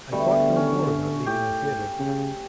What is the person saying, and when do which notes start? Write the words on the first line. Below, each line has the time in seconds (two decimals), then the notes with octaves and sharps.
I thought no more about leaving the theatre.
0.12 B2 D3 G3 A3
0.56 C#4
1.26 A2 G4
1.99 C#3